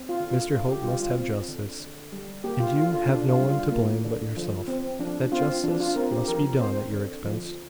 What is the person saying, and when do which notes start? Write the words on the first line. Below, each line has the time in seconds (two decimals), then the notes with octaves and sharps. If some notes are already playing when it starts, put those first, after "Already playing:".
Mr Hope must have justice, and you have no one to blame but yourself that justice must be done at your expense.
Already playing: C4
0.09 F4
0.20 D3
0.31 F4
0.51 D3 F4
0.68 G4
0.83 G3 F4
1.00 F4
1.16 C4
1.48 D3
1.80 D3
2.12 G3
2.44 A#3 G4
2.60 F4
2.75 D3 F4
2.92 F4
3.07 D3 D4
3.29 F4
3.40 G3
3.50 F4
3.72 A#3
4.05 D3
4.37 F3
4.68 C4
4.99 F3 D4
5.32 C4 F4
5.63 F3 D4
5.80 F4
5.96 C4 A#4
6.12 G4
6.28 F3 A#4
6.60 C4 C5
6.92 D3
7.25 F3